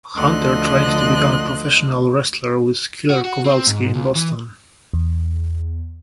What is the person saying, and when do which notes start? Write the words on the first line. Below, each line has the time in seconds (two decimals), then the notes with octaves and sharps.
Hunter trained to become a professional wrestler with Killer Kowalski in Boston.
0.16 D2 D3 F3 D#5 C6 F#6
3.10 F#4
3.25 F#4
3.45 C4
3.67 G#2
3.95 C#2
4.15 E3
4.93 E2